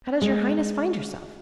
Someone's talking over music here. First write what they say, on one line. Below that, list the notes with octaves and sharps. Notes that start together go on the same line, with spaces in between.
How does your Highness find yourself?'
G#3